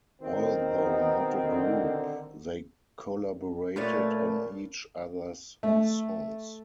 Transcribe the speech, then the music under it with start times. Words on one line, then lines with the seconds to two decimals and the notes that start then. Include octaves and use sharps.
Although not a group, they collaborated on each other's songs.
0.21 B2 D#3 C4
0.78 B3 D#4
1.40 D3
3.76 A#2 A3 B4 C#5 D5 A5
5.63 A3